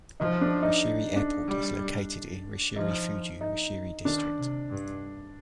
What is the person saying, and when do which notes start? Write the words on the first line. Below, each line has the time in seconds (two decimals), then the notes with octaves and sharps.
Rishiri Airport is located in Rishirifuji, Rishiri District.
0.20 F3 D#4
0.41 D4
0.63 D#4
1.16 D4
1.48 G3
2.76 F3 D#4
3.41 D#4
4.05 D#3 D4
4.38 C3
4.70 G2